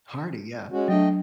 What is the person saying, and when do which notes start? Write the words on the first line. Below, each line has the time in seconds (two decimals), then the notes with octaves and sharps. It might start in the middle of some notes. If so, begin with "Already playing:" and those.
Hardy, yeah.
0.72 G#3 C#4 F#4
0.88 F#3 A3 D4 D#5 G5